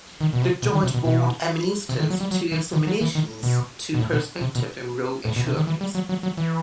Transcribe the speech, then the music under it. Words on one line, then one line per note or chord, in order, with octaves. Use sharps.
The Joint Board administers two examinations to prospective Enrolled Actuaries.
D#3
B2
C3
B2
D#3
C3
B2
B2
C3
D#3
F#3
G3
F#3
E3
D#3
F#3
E3
D#3
B2
B2
A2
B2
C3
B2
A2
B2
C3
D#3
E3
G3
F#3
F#3
F#3
E3